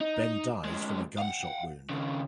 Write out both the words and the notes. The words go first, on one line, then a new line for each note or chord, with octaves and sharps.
Ben dies from a gunshot wound.
D#4
D2 G#3
F5 F#5
D#2 C#3